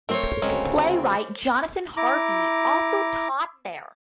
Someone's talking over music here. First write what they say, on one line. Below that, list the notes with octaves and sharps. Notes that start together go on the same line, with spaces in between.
Playwright Jonathan Harvey also taught there.
A3 C4 A#4 C5 C#5
D2 C#3 F#3 G#3 C4 C#4
E4 A#5 D6